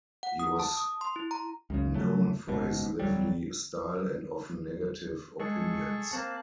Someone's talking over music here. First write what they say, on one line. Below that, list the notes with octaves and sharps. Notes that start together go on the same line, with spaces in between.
He was known for his lively style and often negative opinions.
F#5
D#6
A5
D#6
C6
E4
A#5
C#2 F#2 C#3
F2 C#3 F#3 A3
F#1 G#2 B2
D1 D#2 F#3 G3
G#3 G#4 A4 C#6
A#3 C4 A5 F#6